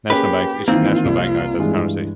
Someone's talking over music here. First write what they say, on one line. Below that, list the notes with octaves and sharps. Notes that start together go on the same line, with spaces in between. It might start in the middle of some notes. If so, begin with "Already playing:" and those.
National banks issued National Bank Notes as currency.
A#3 C#4 G4 G#4 B4
D#3 E3 A#3 C4 F4
C2
G2 E3 G#3